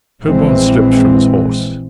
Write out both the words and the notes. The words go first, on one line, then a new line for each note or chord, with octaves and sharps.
Sherburne slipped from his horse.
A#1 E3 G#3 C4